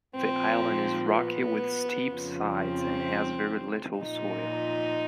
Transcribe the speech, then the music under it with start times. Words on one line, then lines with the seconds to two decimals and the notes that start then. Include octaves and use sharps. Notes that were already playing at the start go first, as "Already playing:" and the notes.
The island is rocky with steep sides and has very little soil.
0.16 A#2 F3 C4
1.11 B3
2.07 F2 C#3 F3
2.55 C4
3.98 A#2 F3 D#4